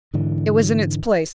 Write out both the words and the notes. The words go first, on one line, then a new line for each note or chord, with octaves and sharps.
It was in its place.
G#2 D3 E3